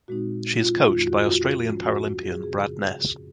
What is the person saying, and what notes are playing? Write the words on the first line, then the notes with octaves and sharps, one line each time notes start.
She is coached by Australian Paralympian Brad Ness.
A#2 G#3 C4 D#4 F#4
F4
F2 D#3 G#3 D#4 F4
F#4
F4
F#4
F#4
G#2 F3 G#3 C#4
F#4
G#4
F#2 C#3 F3 C4 G#4